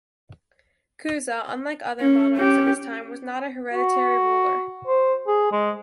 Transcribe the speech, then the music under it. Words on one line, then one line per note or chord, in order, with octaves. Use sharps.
Cuza, unlike other monarchs of his time, was not a hereditary ruler.
C#4
C#4 G4
F#4
C5
G#4
G#3